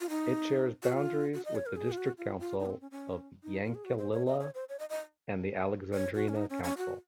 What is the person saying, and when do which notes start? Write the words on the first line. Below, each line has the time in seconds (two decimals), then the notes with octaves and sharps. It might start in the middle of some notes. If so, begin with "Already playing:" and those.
It shares boundaries with the District Council of Yankalilla and the Alexandrina Council.
0.01 F4
0.09 D#4
0.83 F#4
0.93 F4
1.34 F#4
1.45 D#5
1.55 C#5
1.66 A#4
1.76 G#4
1.92 F4
1.97 F#4
2.18 F4
2.39 F4
2.60 D#4
2.66 A#3
2.70 C4
2.81 C#4
2.91 C#4
3.43 D#4
3.65 F4
3.75 G#4
3.84 F#4
3.98 C5
4.13 C#5
4.27 D#5
4.40 C#5
4.54 C5
4.69 C#5
4.79 D#5
4.89 D#5
5.94 C#5
6.15 F#4
6.28 C#4
6.36 D#4
6.50 C#4
6.64 C#4
6.77 F#4